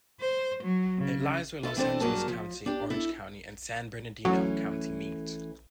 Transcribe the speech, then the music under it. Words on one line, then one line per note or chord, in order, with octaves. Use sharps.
It lies where Los Angeles County, Orange County and San Bernardino County meet.
C5
F#3
C#3
F4 A4 B4 E5
E3 C4 D4 A4 C5
G2 F#3 A#3 G#4 A#4 A5
F3
D4 G4
E4 A4
E3 F#3 A3 C#4